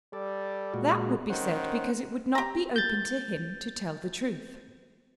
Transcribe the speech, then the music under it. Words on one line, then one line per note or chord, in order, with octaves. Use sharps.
That would be said because it would not be open to him to tell the truth.
G3 A4 D5
A#2 G#3 F#4
D#3 C#4 C5 F#5
G4 A#5
G6 A6